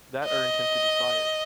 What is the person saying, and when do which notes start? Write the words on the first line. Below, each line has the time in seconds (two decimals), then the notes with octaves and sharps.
That earned him to be fired.
0.25 D#5